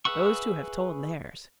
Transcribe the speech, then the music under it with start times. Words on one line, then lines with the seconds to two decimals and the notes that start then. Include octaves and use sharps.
"Those two have told theirs."
0.05 G#4 B4 E5 F#5 C#6